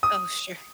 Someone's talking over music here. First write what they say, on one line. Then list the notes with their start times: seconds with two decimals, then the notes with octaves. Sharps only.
Oh, sure.
0.03 D#6